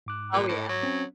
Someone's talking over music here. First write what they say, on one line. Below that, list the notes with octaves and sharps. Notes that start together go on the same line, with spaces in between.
Oh, yeah.
G#2 D6 F#6
A#2
A2
F#3
C4 C#4